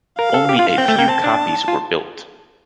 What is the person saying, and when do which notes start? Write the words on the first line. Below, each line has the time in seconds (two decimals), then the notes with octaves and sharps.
Only a few copies were built.
0.19 A#4 F5
0.34 A4
0.49 G4
0.59 F4
0.78 C4 G5
0.88 A3
0.98 A#3
1.08 C4 A5
1.24 D4
1.68 F4